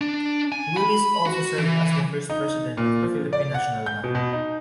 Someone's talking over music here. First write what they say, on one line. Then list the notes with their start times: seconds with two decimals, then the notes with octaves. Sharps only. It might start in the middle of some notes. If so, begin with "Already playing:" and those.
Willis also served as the first president of the Philippine National Bank.
0.01 D4
0.52 G#5
0.77 B5
1.26 F#4
1.58 E3
2.30 D#4
2.77 A#2
3.03 F3
3.33 D5
3.54 F#5
3.86 G6
4.04 B2
4.15 B2
4.33 D#4